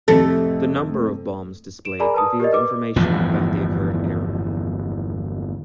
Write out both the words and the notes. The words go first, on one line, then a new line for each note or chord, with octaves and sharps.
The number of bombs displayed revealed information about the occurred error.
F2 A2 C3 A3
D7 E7
G#4 A#4 D5 G#5 A#5 B5
B4 A5 D#6
G4 A#4 D5 D#5
B4 D6
G1 E2 A2 F3